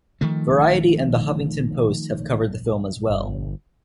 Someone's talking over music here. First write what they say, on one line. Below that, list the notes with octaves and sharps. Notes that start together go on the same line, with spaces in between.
Variety and The Huffington Post have covered the film as well.
D#3 F3 A3
G1